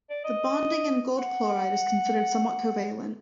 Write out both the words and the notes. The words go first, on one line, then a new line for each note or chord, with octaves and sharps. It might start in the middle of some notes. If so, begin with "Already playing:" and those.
The bonding in AuCl is considered somewhat covalent.
D5
D#5
F#5